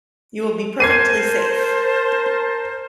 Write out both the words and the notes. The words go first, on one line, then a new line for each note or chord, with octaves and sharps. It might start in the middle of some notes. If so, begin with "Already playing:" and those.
You will be perfectly safe.
A#4 C5 A5 G#6 C7 D#7